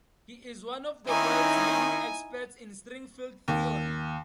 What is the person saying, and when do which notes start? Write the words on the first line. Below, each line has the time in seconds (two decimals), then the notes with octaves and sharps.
He is one of the world's leading experts in string field theory.
1.07 D#3 C4 C#4 D#4 E4 G#5
3.48 D#2